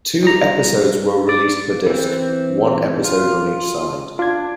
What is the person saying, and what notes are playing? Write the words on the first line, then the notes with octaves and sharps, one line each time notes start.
Two episodes were released per disc, one episode on each side.
G3 A#5
D5
E3 C4
F4
D4 F4 G#6